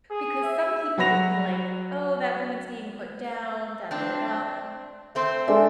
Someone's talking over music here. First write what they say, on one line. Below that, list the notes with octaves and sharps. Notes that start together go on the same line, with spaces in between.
Because some people would be like, "Oh, that woman's being put down, da, da, da, da."
G#4
E5
F#3 F#4 F#5 B5 A#6 F7
C4 D4
A3 C4 C5
G#3 D4 A4 E5